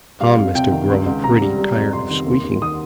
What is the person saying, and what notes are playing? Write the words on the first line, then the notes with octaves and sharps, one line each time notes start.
Tom must have grown pretty tired of squeaking.
G3 F5
F2
C3 G5
D#3
C#2
C#2
C3 A#5
G3
G3
F2
C3 C6
D#3
D#2
D#2
D#3 D#6